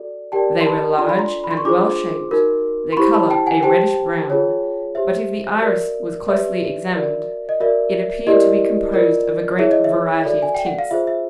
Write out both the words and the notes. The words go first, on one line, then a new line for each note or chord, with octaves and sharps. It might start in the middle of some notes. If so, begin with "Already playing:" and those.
They were large and well shaped; their colour a reddish brown; but if the iris was closely examined, it appeared to be composed of a great variety of tints.
Already playing: F#4 A4 D5
G4 A#4 D5 G5 A5
C6
A5 B5
D4 F4 A4 D5 C6
B5
A#5 C6
B5
C6
C#6
D4 F4 G#4 C5 C6 D6
D#4 F#4 A#4
C6
E4 G4 C5 B5 C#6
A5 B5
G5 A5
F#5 G#5
G4 C5 G5 A5
F4 G#4 C#5
G4 C5 E5
F#4 A#4 D5
G4 B4 D5 E5
F#4 A#4 D5
D#5
F#4 A#4 D5 E5
E4 G4 A#4 D5 D#5
F4 A#4 D5
E4 G#4 C#5 E5
D#5
E5
F#4 A4 D5
G#5
G5
F#5
F5
F4 G#4 C5 E5
E5